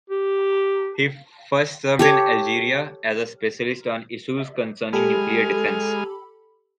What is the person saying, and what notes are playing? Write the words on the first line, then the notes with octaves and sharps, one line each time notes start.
He first served in Algeria as a specialist on issues concerning nuclear defense.
G4
G4 A4 C#5
G#3 G4 A4 G#5 B5 F6